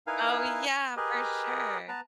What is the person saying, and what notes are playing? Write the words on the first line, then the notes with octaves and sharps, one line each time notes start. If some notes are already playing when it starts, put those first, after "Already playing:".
Oh, yeah, for sure.
D#4 E4 A#4 B4 F5 G#5
G4 G#4 A#4 B4 D#5
B3 B4 A5 A#5